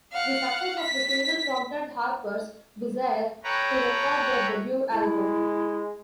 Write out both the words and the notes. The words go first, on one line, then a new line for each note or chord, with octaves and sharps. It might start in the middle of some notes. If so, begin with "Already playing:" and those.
The success of the single prompted Harpers Bizarre to record their debut album.
F5 F#5
B6
A4 B4 C#5 F#5 G5 A#5
G#3 E4